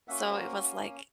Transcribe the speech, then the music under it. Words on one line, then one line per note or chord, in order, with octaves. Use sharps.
so it was, like
A#3 C#4 F#4 E5 F#5
A#4 C5